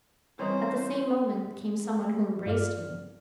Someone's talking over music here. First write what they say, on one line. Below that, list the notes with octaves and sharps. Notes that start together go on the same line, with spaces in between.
At the same moment came someone who embraced me.'
E3 G3 C4 C#4 D#4 C5
G2 F4 D5 F6